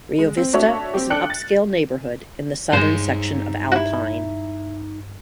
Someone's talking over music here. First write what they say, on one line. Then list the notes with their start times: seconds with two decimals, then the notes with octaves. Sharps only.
Rio Vista is an upscale neighborhood in the southern section of Alpine.
0.18 G#3
0.37 C4
0.53 A3 D4 F#4 C#5 E5
0.94 C4 G4
1.10 D4 A4 G5 F#6 C#7 F#7
1.30 A6
2.73 G2 G#3 D#4 C5 F5
3.72 E4 F#4